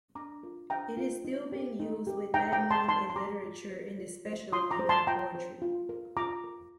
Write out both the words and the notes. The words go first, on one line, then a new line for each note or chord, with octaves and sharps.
It is still being used with that meaning in literature and especially in poetry.
D4 A#5 D6
F4 A#4
D4 G5 A#5
F4 A#4
D#4
G4 A#4
D#4
G4 A#4
D#4 G5 A#5
G5 A#5
G4 A#4
A5 C6
D#4 A5 C6
C6
G4 A#4 A#5 D6
F4
C5
F4
C5
F4 C6 D#6
A#5 D6
C5
A5 C6
F4 G5 A#5
C5
F4
A#4
F4 A#5 D6
A#4